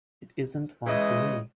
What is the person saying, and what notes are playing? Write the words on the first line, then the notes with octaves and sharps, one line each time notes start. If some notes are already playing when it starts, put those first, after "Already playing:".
It isn’t one to me.
C#3 E3 G#3 E4 D#5